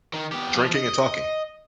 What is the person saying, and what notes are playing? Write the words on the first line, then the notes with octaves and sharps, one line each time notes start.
Drinking and talking.
D#3
B3 G4
F3
D#5